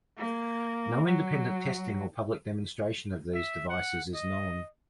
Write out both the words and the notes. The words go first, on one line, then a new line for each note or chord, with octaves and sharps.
No independent testing or public demonstration of these devices is known.
A#3
F#3
E5
F#5
D#5